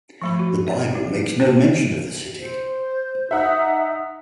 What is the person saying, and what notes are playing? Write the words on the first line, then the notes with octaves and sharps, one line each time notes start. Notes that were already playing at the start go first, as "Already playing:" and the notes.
The Bible makes no mention of the city.
F3 A3 B5
F#4
C4 E5
G3
B3 C4 D#4
C5
D#4 E5 F#5